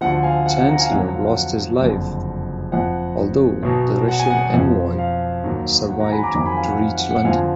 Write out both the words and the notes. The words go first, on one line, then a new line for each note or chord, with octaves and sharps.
Chancellor lost his life, although the Russian envoy survived to reach London.
D2 D3 F3 F#5
F5 G#5
F#5
F#5
F#5 A#5
F5 G#5
F2 D3 F#3 F#5
F#5
F5
F#5
F#5
F#1 F2 D3
F2 F3 F#5
B1 B2 F#3
F#5
G#5
F#5
F2 F3
F5
D#2 D#3 F#3
F#5
F#5 A#5
G#5 B5
A#5 D6
F2 D#3 F#3 A#5 D6
G#5 B5
F5 G#5
F#5
F5
F#5
F#5
F2 D3 F3 F5 G#5